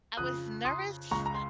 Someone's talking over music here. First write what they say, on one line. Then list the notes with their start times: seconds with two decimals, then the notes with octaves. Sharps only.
I was nervous
0.17 F2 C#3 F3 D#6 F#6
0.65 C6 D#6
1.11 C#2 C#3 G#3 A#5 C#6
1.26 A#5
1.35 C6